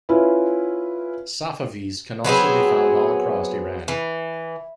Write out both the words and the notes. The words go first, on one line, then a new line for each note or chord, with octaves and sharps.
"Safavi"s can also be found all across Iran.
C#4 E4 F4 B4
F#3 B3 C4 G#4
E3